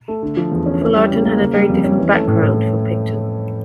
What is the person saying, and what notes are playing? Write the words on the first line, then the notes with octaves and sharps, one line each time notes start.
Fullarton had a very different background from Picton.
A3
D3
F3
E2
C#4
E3
G3
C#3
A#3
C#3
G3
F2
C#4
E3
A3
A2
A2